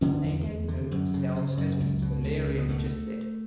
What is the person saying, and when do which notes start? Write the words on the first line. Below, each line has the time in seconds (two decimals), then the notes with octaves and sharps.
They don't know themselves--as Mrs. Valeria has just said!
0.01 D3 C#4
0.24 E2
0.47 E2
0.68 D3
0.91 F#2
1.14 C#3
1.36 C#3
1.57 F#2
1.80 C#2
2.02 B2
2.24 C#2
2.47 C#2
2.58 B3
2.68 B2 A3